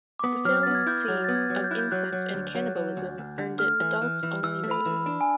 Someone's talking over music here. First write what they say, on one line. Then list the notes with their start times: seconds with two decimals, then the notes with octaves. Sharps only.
The film's scenes of incest and cannibalism earned it adults-only ratings.
0.19 D6
0.24 B3 D#6
0.45 F#3 F6
0.63 B3 A6
0.75 G#6
0.87 E4 G6
1.08 F#3 G#6
1.24 B3 A6
1.35 G#6
1.50 F#3
1.64 G6
1.71 E4 F#6
1.79 G6
1.92 F#3 F#6
2.13 F#3
2.34 D2
2.55 F#3
2.76 F#3
2.97 D2
3.18 D2
3.38 D3
3.59 A3 F6
3.80 E3
4.02 E3
4.23 E3
4.43 E3 E6
4.64 A3
4.71 B5
4.86 E3
5.06 D4
5.21 G#5